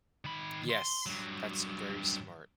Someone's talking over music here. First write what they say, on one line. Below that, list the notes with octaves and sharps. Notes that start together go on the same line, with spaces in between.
Yes. That's very smart.
D#3 B5
C6
G2 F#3